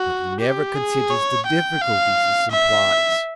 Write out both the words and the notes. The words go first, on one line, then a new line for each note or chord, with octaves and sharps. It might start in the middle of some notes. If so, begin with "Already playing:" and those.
But he never considers the difficulties this implies.
Already playing: F#4
G4
G#4
C#5
G5
F5
E5